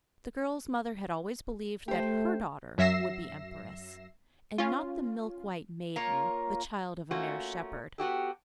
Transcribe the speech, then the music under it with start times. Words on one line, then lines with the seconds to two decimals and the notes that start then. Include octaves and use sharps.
The girl's mother had always believed that her daughter would be empress, and not the 'Milkwhite Maiden,' the child of a mere shepherd.
1.88 A3 G4 C5
2.78 F#2 F#3 E5 A#6 C7 E7
4.58 C#4 F4
5.96 A#3 F4 A#4 C#5
7.11 A3 A#3 C#4 F4 F#4
7.98 B3 F#4 G4 A4